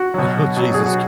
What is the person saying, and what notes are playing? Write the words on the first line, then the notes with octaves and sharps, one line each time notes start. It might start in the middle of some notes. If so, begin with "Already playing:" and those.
Oh, Jesus.
Already playing: F#4
B2 F#3
B2 F#3
G#4
F#4